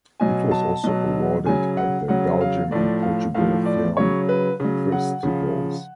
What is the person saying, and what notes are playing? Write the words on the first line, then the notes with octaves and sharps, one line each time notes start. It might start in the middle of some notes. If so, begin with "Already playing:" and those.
It was also awarded at the Belgium and Portugal film festivals.
B2 F#3 G#5
A5
B2 F#3
C#3 F#3 G#5
F#5
C#3 F#3 F#5
F5
A2 F3 D5
F5
A2 F3 F5
D5
C#3 F#3 C#5
B4
C#3 F#3
F#5
C#3 F3